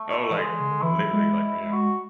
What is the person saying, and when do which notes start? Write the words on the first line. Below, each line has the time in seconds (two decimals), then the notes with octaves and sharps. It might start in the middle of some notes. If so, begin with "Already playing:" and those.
Oh, like, literally, like, right now.
Already playing: A3
0.31 E3
0.38 D3 G#3
0.50 E3
0.60 C#3
0.71 D3
0.82 E3 E4
0.98 F#3
1.13 G#3
1.73 F#4